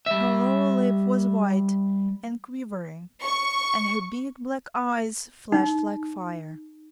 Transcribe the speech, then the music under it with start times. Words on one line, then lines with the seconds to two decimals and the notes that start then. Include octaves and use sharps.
Her lower lip was white and quivering and her big black eyes flashed like fire.
0.06 G3 E5
3.23 C#6
5.52 D#4